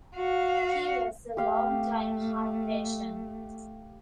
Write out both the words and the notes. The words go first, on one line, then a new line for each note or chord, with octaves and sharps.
He was a long time heart patient.
F#4 F5
A3 G4 F5 G5